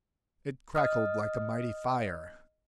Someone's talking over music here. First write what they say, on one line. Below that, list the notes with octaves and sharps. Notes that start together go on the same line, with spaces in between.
It crackled like a mighty fire.
D#5 D#6 F6